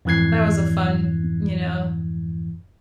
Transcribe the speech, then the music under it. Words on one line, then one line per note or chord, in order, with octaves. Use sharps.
that was a fun, you know,
F2 G#2 E3 F#6 G#6 C7